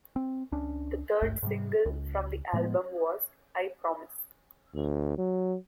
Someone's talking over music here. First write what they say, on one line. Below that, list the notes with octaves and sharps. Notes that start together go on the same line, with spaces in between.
The third single from the album was "I Promise".
C4
C#2 C#4 D4
G#1 C#2 G2 A3
G#2 C3 G3
C#2
A2 F3 G#3 B3
D2
F#3